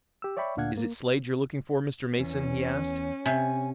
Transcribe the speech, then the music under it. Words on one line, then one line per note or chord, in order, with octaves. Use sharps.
"Is it Slade you're looking for, Mr. Mason?" he asked.
G4 E6
C#5 D5 E5 G5 B5 C#6
D2 A#2 D4 F5 F#5 G#6
A#3
E2 C#4
C3 G#5